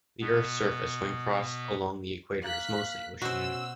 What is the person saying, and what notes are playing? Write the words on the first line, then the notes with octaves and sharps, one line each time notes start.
The earth’s surface, when crossed along the Equator, is mostly oceanic.
B2 B3
A#3 F5 F#6 B6
B2 C#4 F#4 C5 E6